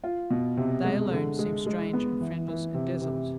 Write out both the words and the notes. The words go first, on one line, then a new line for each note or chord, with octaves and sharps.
They alone seemed strange and friendless, and desolate.
F4
B2
C3
G#3
D3
G#3
G#3
B3
E3
E3
C3
C3